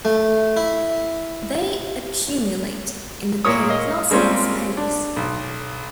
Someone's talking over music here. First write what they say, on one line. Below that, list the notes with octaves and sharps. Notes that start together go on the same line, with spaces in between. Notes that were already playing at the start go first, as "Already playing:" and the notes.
They accumulate in the periplasmic space.
A3
E4
A#2 A#3 C#5 D#6
D#5 F5
G3 G#3 A#3 C4 C#4 F4
D4
B1